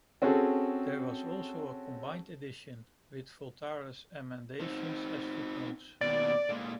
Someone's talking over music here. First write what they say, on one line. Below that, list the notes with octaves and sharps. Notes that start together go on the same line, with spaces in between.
There was also a combined edition, with Voltaire's emendations as footnotes.
C4 C#4 F#4 G#4 A4
C4 D#4
D#2 B2 D5
A#2 G#3